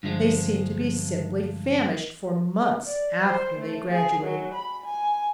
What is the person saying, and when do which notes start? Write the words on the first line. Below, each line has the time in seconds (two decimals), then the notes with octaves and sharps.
They seem to be simply famished for months after they graduate.
0.03 G2 D3 F3 G#3
2.86 D5
3.26 C5
3.60 A3
3.92 G#4
4.24 F#3
4.54 B5
4.85 G#5